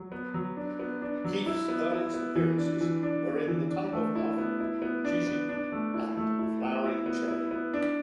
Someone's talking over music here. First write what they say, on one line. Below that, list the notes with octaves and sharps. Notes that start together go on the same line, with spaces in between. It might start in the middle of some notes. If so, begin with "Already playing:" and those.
Keith's earliest appearances were in "The Tunnel of Love", "Gigi", and "Flowering Cherry".
Already playing: F#3
B3
F#3
D4
B3
D4
F#3
E4
B3
E4
B3
E3
D4
E3
D4
B3
E3
D4
A3
E4
B3
E4
B3
D4
B3
D4
A3
E4
A3
E4
B3
E4
B3
E4
B3
D4